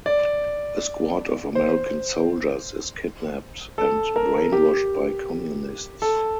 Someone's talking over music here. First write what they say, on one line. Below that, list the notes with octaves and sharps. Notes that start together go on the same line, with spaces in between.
A squad of American soldiers is kidnapped and brainwashed by Communists.
D5
C5
A4
A#4
G4
A4